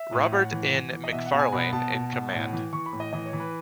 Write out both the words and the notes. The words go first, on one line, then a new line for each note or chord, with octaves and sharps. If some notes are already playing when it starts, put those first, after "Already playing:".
Robert N. McFarlane in command.
Already playing: E5
A2
A2 F#5
E3
E3
E3
D#5
B2 E5
F#5
B2
G#5
B2 B5
B2 A5
B2
B2
A2
E3
E3 C#6
B5
A2
D#5
E3 D#5
C#5
E3
B4